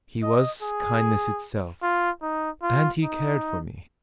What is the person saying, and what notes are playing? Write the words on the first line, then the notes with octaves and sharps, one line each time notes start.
He was kindness itself, and he cared for me.
D#5
G#4
F4
D#4
F4
D#4